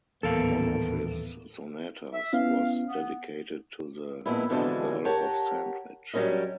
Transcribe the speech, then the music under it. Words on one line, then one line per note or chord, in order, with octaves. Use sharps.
One of his sonatas was dedicated to the Earl of Sandwich.
D#1 E2 A2 B3 A4 A#4 F5
E5
B3 C#4 E4 F5
B3
F2 A#2 G#3 B3 E4
F2 B2 D3 E3 F3 G#3
G4 A#4 C#5 F#5 A5
F#3 G3 C#4 A#4 D#5